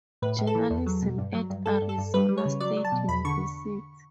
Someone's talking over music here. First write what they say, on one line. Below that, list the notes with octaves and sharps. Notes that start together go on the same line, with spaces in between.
Journalism at Arizona State University.
A2 B4
A2
A4
E3
E2
F#3
B2
G2
F#3
G2
G2 A4
G2
A4
G2
G3 B4
G3
C#5
C#3
F#3 D5
F#3
A5
B2
E2 B5
D3 C#6